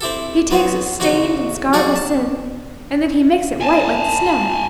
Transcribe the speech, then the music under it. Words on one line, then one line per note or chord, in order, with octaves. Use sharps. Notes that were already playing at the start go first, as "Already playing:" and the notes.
He takes it stained and scarred with sin, and then He makes it white like the snow.
C4 E4 G4 A4
F#3 B3 C4
A1 C#3 C4 F#4 D6
F#3 G3 G#4 D5 F5 F#5
A5
G#5 A5